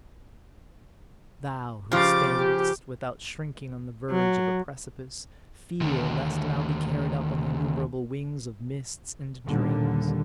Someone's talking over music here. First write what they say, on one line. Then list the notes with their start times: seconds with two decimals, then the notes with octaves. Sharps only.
Thou who standest without shrinking on the verge of a precipice, fear lest thou be carried up on the innumerable wings of mists and dreams.
1.92 C#3 F3 G4 D6 A6
2.36 G4
4.10 F#3
5.81 D#2 D3
9.45 D#2 A#2 D3 G3